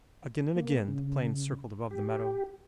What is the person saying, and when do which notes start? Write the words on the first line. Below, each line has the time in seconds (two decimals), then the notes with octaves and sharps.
Again and again the plane circled above the meadow.
0.56 A#3
0.88 C#3
1.91 G4